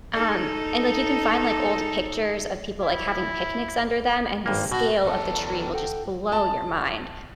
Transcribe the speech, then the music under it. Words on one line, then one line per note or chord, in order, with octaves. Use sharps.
um, and, like, you can find, like, old pictures of people, like, having picnics under them, and the scale of the tree will just blow your mind.
D#4 A4
E4
G#1 G2 A#3
B2 F#4
E2 A4
A4 F#5 G5
A5